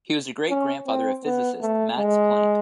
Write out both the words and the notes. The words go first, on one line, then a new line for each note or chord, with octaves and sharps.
He was the great-grandfather of physicist Max Planck.
C#4
C4
B3
A3
G#3